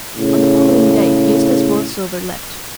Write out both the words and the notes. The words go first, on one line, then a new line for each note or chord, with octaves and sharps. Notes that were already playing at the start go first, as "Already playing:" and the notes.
On the following day Eustace Borlsover left.
A2 C#3